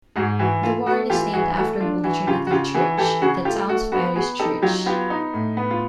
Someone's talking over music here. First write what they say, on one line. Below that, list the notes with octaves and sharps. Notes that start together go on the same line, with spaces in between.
The ward is named after Holy Trinity Church, the town's parish church.
G#2 F#4 G#4
E3 F#4
A3 F4
A3 F#4
E3 F4 G4
E3 F#4 G#4
A3 F#4
D4 F4
E3 F#4
C#3 F4 G4
F#4
C#3 F4 G4
E3 F#4 G#4
E3 G4 A4
C#3 F#4 G#4
A3 F4 G4
A3 F#4
B3 F#4
B3 F#4 G#4
D#4 G4 A4
F#3 F4 G4
B3 F4 G4
D#4
A2
B3
F4